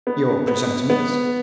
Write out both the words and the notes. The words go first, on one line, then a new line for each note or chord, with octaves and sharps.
"Your presentiments?"
B3
B3
B3